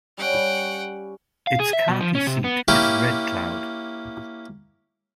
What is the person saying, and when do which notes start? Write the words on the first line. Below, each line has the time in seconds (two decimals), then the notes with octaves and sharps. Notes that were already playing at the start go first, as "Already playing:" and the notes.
Its county seat is Red Cloud.
0.18 G3 C#4 F#5 G5
1.47 F5
1.60 G#4
1.73 E5
1.88 B2
2.01 F3
2.15 C#4
2.27 C3
2.44 B3
2.68 A#3 C#4 E4 G4